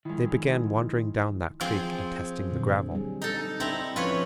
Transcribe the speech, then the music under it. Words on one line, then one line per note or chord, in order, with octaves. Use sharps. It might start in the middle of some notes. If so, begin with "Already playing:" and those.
They began wandering down that creek and testing the gravel.
D#3 F3 G#3 E4
F3 C4 G#4
A#2 D3 F#3
G3 G#4
D#4 A4
C4 D4 E4 A#5
F3 C#4 E4 F4 B4 C#5